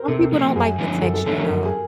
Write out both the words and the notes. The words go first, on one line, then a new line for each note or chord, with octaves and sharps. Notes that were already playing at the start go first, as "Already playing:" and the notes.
some people don't like the texture though,
Already playing: A#4 C5
C3 A4
F3 A#3
F#2 G#4
D3 F3 A3 C#4
F#2 A4
A4
D3 F3 A3 C#4 A4
A#4
F#2 A#4
G#4